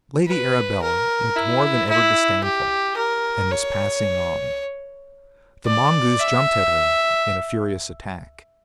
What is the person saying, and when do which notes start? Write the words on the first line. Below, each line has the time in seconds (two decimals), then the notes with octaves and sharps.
Lady Arabella looked more than ever disdainful and was passing on; the mongoose jumped at her in a furious attack.
0.28 B4
0.82 A#4
1.36 E4
1.89 E4
2.43 G4
2.97 A#4
3.50 C#5
5.66 D5
6.19 E5